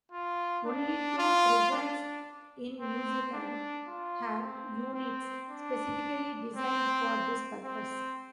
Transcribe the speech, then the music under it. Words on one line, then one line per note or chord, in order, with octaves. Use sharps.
Only two prisons in New Zealand have units specifically designed for this purpose.
F4
D4
F4
D4
C4
D4
F4
C4
C4
D4
C4
C4